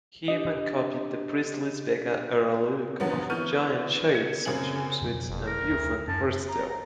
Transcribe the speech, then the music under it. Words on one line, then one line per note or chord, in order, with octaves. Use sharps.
He even copied the Presley's Vegas-era look of giant shades, jumpsuits and bouffant hairstyle.
D4 G4 D#5
E2 G2 D3 F3 F#3 B3
E3 B3 C#6 F6 G6 D#7
G#6 C#7
F#2 C#3 A#3 C4 G#5 F#7
F2 B2 F#3
F#1
A#4
D2
F#2 A5
A#5